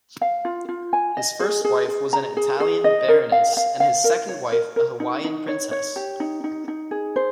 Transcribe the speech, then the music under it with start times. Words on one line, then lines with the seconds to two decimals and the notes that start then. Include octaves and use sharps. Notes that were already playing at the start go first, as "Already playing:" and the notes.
His first wife was an Italian Baroness and his second wife a Hawaiian princess.
0.21 F5
0.45 F4
0.69 F4
0.93 G#5
1.17 D#5
1.40 G#4
1.65 G#4
1.88 G#4
2.13 A#5
2.37 G#4
2.60 G#4
2.84 D#5
3.08 A#4
3.32 F5
3.57 F5
3.80 F5
4.04 A#4
4.29 C#5
4.52 A#4
4.76 A#4
5.00 D#4
5.24 D#4
5.48 C#5
5.71 C#5
5.96 G4
6.20 D#4
6.44 D#4
6.68 D#4
6.91 G#4
7.16 C5